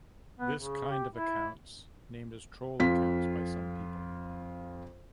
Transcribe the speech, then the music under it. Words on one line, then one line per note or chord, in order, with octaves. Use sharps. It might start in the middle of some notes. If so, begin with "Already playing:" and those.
This kind of accounts named as "troll accounts" by some people.
B3
C#3
G4
E4
F2 F4 B6